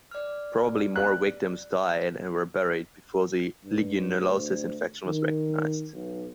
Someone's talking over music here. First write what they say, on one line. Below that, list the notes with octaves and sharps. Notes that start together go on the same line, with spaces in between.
Probably more victims died and were buried before the legionellosis infection was recognized.
D5 F6
F#6
G2
D2
D#3
B1